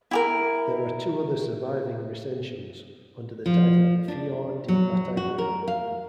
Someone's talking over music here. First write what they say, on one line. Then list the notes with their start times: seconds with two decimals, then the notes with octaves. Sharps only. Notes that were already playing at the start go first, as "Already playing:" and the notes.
There are two other surviving recensions, under the title Fior di Battaglia.
0.11 E4 G4 A#4
3.46 F3
4.08 D4
4.68 F#3
5.17 F#4
5.38 A#4
5.68 F5